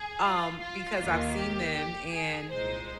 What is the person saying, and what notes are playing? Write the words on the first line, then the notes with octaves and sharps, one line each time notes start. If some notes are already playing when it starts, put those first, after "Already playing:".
um, because I've seen them, and
Already playing: G#4
F4
F4
D#2 D#3 A#3
G4
G4
G#4
C2 A#2 G#3 D#4 C5